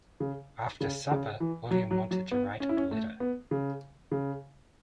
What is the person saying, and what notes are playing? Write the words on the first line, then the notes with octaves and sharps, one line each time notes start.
After supper William wanted to write a letter.
C#3
C#3
C#3
E3
F#3
F#3
F#3
B3
C#4
E4
C#4
A3
B3
C#3
C#3